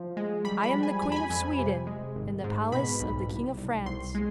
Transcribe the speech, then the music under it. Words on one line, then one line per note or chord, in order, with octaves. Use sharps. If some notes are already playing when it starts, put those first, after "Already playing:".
"I am the Queen of Sweden, in the palace of the King of France."
Already playing: F3
G#3
G3 B5
B5
G3
G#5
F2 G#5
B5
G#5
F2 G#5
C3
G#3
G#1
G#2
B2 B5
B1
C2
C2
C2 C6
G#3